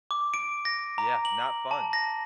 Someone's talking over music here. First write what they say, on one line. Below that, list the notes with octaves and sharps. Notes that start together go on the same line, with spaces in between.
Yeah, not fun.
D6
D7
A#6
A#5
F#7
A5
A#6